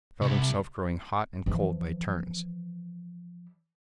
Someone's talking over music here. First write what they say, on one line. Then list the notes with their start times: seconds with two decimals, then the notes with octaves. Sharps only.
He felt himself growing hot and cold by turns.
0.22 C2
1.46 E3 F3